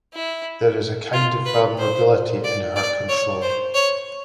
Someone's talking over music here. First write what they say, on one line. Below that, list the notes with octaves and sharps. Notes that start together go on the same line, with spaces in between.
There is a kind of vulnerability in her control.
E4
F4
B4
C5
D5
D5
C#5
C5
C#5